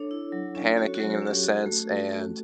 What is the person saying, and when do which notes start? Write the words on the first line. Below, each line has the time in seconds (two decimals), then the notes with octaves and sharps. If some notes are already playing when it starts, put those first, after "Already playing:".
panicking in a sense, and,
Already playing: D4 A4 C#5
0.11 E4
0.32 F#3
0.55 C#4
0.77 F#4 A4 C#5
0.94 F#4
1.00 F#3
1.10 F#4
1.22 C#4
1.27 G4
1.44 F#4 A4
1.66 A3